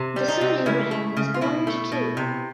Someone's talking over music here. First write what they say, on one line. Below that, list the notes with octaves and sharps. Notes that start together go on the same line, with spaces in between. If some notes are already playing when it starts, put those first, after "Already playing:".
The son Abraham was born to two.
Already playing: C3
G3
D#4
C3
C#3 E4
A3
C#3
F4
B2 E4
A3
B2
C3